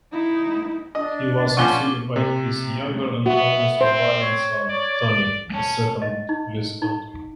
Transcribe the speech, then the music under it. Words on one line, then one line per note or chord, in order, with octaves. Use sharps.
He was succeeded by his younger and only surviving son, Tony, as second viscount.
D#4 E4
D4 D#5
A#2 F3 C#4 F#5 C#6 D6 G7
C3
B3 F#4 E5
C4 C5
C#5
D5
C#4 A5
D#5
D#4
D#4